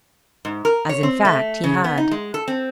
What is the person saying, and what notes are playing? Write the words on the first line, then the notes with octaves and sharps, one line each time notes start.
As, in fact, he had.
G#2
A#4
C#5
C4
A3
C#3
B3
D#4
G#3
A4
C4